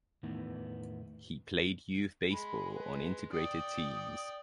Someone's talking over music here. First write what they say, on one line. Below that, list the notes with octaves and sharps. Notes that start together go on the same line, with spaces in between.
He played youth baseball on integrated teams.
E2 A2 D#3 E3 B3
G#3 B5
B4
D5 G5 D#6